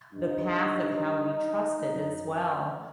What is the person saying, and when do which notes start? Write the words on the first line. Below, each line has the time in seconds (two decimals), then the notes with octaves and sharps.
the path of how we trust it as well.
0.13 G2 D#4
1.91 F#2